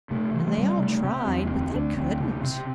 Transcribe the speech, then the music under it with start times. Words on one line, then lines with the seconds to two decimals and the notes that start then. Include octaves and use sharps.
And they all tried, but they couldn't.
0.11 C3 A3
0.34 C3 E3
0.47 A3
0.58 C3 G3
0.81 C3 A3
1.04 C3 C4
1.27 E2 C4
1.45 A3
1.51 D2 C4
1.74 D2 D4
1.97 D2 C4
2.20 C3
2.44 C3